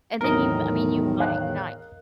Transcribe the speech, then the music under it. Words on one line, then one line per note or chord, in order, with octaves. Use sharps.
and then you m I mean, you might not
B1 E2 A2 D#3 A#4 D#5
F5 F#6